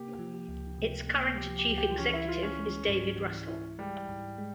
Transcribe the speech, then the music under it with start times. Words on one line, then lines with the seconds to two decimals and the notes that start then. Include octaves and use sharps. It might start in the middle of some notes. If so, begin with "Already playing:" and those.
Its current Chief Executive is David Russell.
Already playing: C3 A#3 G4
0.19 F3
0.48 C#2
0.78 C3
1.08 A#3
1.38 F3 G4
1.59 G4
1.68 C#2
1.78 G4
1.98 E3 C#4
2.13 E4
2.28 E4 F4
2.43 C#4
2.59 G#3
2.88 G#2
3.18 E3
3.48 E4
3.79 G3 G#3
4.08 G#2
4.38 G#3